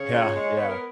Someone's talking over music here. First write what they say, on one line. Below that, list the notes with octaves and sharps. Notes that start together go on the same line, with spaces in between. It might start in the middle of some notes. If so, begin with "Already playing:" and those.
Yeah, yeah.
Already playing: C#3 C#5
A#2
G#3
B3
A#4